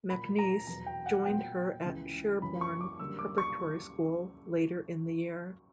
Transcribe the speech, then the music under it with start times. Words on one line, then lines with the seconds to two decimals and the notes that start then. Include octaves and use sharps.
MacNeice joined her at Sherborne Preparatory School later in the year.
0.10 A#2 A#3 B5
0.39 A#5
0.67 E2 B2 F#3 B3 A#5
0.86 G5
1.06 F#5
1.25 A#2 F#3 B3 G5
1.84 C#2 C#3 E3
2.41 F#2 E3 A#3 B5
2.61 C#6
2.81 D6
2.99 F#2 D3 G3 A#3 E6
3.19 D6
3.38 C#6